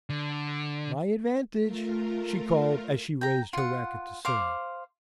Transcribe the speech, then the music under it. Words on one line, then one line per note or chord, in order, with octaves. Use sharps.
"My advantage!" she called as she raised her racket to serve.
D3
A3 F4 A#4
G5 A#5
F4 F#5
C5 F5 D6